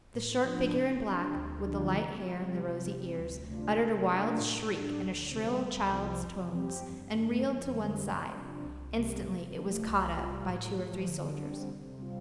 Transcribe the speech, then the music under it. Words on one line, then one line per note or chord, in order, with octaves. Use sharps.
The short figure in black, with the light hair and the rosy ears, uttered a wild shriek in a shrill child's tones and reeled to one side. Instantly it was caught up by two or three soldiers.
A2
F3 D4 F4
C3
F3 D4 G4
D2
D3 F3 D4 F4
C3
G3 F4
C3
G3 C4
D2
C3 A3 D4 F4
C3
A3 D4 F4
A2
G3 D4
D2
C3 G3 C4
C2
C3 F3 C4
F2
F3 C4 G4
G2
D3 A3
F2
D3 G3
C3
F3 D4
C2
C3 G3
C3
F3 A3
C2
C3 G3 F4
A2
F3 A3
D3
G3 C4
C3
G3 C4 F4